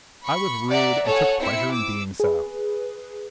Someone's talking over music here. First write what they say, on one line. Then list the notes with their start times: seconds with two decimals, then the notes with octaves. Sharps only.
I was rude and took pleasure in being so.
0.23 B5 C#6
0.70 D5 E5 F#5 A#5
1.07 A4 C#5 F#5 G#5
1.41 C4 E4 E5 C#7
1.74 D6 E6
2.20 G#4 B4